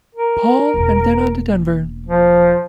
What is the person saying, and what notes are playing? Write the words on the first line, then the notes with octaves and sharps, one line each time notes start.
Paul and then on to Denver.
A#4
E1 A#3
F3